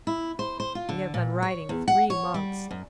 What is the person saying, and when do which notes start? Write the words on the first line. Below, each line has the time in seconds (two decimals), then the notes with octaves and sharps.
We have been riding three months.
0.07 E4
0.39 C5
0.60 C5
0.75 F4
0.89 D3
1.14 A#2
1.42 C#5
1.69 E2
1.88 F#5
2.10 C#5
2.34 G3
2.71 F#2